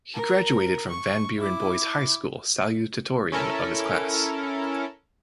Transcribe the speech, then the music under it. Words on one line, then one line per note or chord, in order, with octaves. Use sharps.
He graduated from Van Buren Boys High School salutatorian of his class.
A#4
C#6
E4 D6
C#4 E4 A4 A#4